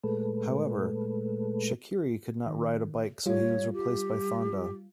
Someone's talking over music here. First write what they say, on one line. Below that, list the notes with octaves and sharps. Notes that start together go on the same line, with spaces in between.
However Chakiris could not ride a bike so he was replaced by Fonda.
A#2 G#3 A3 A4 B4
D#3
G3 F4 C#5
G4